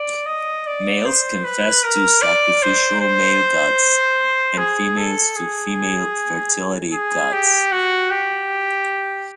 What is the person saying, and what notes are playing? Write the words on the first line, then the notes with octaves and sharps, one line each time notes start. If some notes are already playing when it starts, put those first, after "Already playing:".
Males confessed to sacrificial male gods, and females to female fertility gods.
Already playing: D5
D#5
D5
C5
B4
A#4
D5
C5
C5
G#4
A4
G#4
G#4
G4
F#4
G4